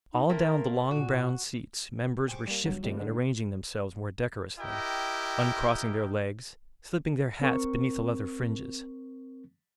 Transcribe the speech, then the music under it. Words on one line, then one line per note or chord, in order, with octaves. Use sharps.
All down the long brown seats members were shifting and arranging themselves more decorously, uncrossing their legs, slipping their hats beneath the leather fringes.
D#4
A3 A#3 C4 A#4
A#2 F#4
G4 G#4 C5 C#6 D6
G3 A#3
G1 G2 F#3
A2 C3 D#3 F3 G3
G#2 D3
E4 G4 A#4 D#5 G5
C4 A#4 C#6